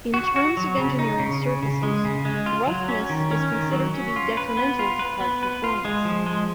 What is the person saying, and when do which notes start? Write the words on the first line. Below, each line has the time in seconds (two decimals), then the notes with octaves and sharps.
In terms of engineering surfaces, roughness is considered to be detrimental to part performance.
0.14 F#4
0.36 F#4
0.57 F#3
0.77 C#3
0.99 D#4
1.19 C#3
1.41 C#3
1.63 C#3
1.83 G#3
2.05 C#3
2.25 G#3
2.46 F4
2.67 F#3
2.89 C#4
3.10 D#3
3.31 C#4
3.52 D#3
3.73 F#3
3.94 C#4
4.16 F4
4.37 B4
4.57 B3
4.79 F4
4.99 B4
5.20 B3
5.43 B4
5.64 F4
5.85 G#3
6.05 F3
6.26 G#3